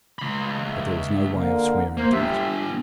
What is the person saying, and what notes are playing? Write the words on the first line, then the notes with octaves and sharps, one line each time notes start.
But there was no way of swearing to it.
C#2 B5
E5
D3 A#3
D2 A#3 A#4 C5
B3 D4 G4 E5